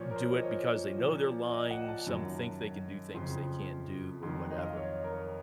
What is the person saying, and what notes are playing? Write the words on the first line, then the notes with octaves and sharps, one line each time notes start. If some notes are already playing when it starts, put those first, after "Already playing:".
do it because they know they're lying, some think they can do things they can't do or whatever,
Already playing: A#2 F3 C#5
A#4
C5
D#5
C#5
A#2 F3
D#5
F#5
A5
F#2 D#3 F#3
F2 C#3 F3 C6
F2 D#3 F#3 C6
D#5
F5
D#5
C#5
A#4